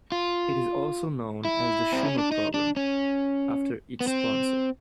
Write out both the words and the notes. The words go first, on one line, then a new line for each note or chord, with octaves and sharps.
It is also known as the Schumer program, after its sponsor.
F4
E4
C4
C#4
D4
D#4
D4
C#4
B3
C4